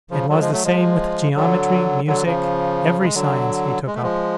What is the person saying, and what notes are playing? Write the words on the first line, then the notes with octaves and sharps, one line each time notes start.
It was the same with geometry, music, every science he took up.
C#3 F3
D3 F#3
F3 G#3
F#3 A3
F3 G#3
D3 F#3
D3 F#3
C#3 F3
G#3
D3 F#3
G#3
A3
F3 G#3